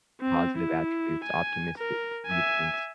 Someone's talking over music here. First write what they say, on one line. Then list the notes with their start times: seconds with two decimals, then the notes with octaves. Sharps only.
positive attributes, optimistic viewpoints,
0.22 C4
0.58 E4
1.25 G#5
1.78 A#4
2.27 E5 G#5